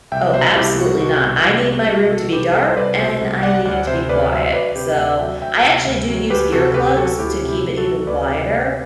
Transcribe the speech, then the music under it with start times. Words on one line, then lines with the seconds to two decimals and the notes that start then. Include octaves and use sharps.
Oh, absolutely not. I need my room to be dark, and I need it to be quiet. So, I actually do use earplugs to keep it even quieter.
0.12 C2 E5 G5
0.33 B2 C5 E5
0.56 C2 E4 G4
0.78 G3 F#4
1.00 C2 F#4
1.22 B2
1.44 C2
1.66 G3
1.88 C2 F#4
2.11 B2 F#4 A4
2.32 C2 G4 B4
2.55 G3 A4 C5
2.67 C5
2.77 C2 B4 D5
2.99 B2 A4 C5
3.21 C2
3.43 G3 D5 F#5
3.65 D2 D5 F#5
3.87 C3 C5 E5
4.09 D2 B4 D5
4.31 F#3 C5 E5
4.53 D2 B4 D5
4.76 C3 G4 B4
4.97 D2 E5 G5
5.20 F#3 E5 G5
5.42 D2 E5 G5
5.64 C3
5.86 D2
6.08 F#3
6.30 D2 G4 B4
6.52 C3 F#4 A4
6.74 D2 G4 B4
6.97 F#3 F#4 A4
7.18 D2 E4 G4
7.41 C3
7.49 E4 G4
7.63 D2
7.77 F#4 A4
7.85 F#3
8.07 D2 B4 D5
8.29 C3
8.51 D2